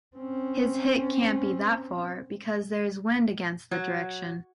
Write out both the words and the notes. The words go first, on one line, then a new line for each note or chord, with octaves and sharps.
His hit can't be that far because there is wind against the direction.
C4 C#4
F#3